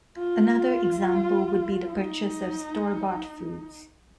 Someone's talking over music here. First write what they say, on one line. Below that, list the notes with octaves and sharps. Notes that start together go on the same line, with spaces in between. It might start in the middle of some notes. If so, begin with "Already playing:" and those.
Another example would be the purchase of store-bought foods.
F4
D#4